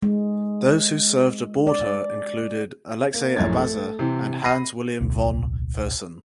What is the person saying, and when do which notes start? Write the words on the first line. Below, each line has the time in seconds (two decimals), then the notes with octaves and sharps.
Those who served aboard her included Alexey Abaza and Hans William von Fersen.
0.03 G#3
1.67 D5
3.14 A#3
3.36 A#1 F#2 A2 C#5 G#6 A6
3.58 A3
3.99 C3 E3 C4
4.44 B5 A#6 C7 D#7
5.01 D1 B1